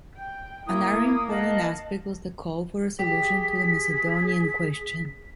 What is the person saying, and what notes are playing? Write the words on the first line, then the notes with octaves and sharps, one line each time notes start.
Another important aspect was the call for a solution to the Macedonian Question.
G5
A#3 E4 D6 D#6
D#5 F5 F#5 A5
G4 G#4 B6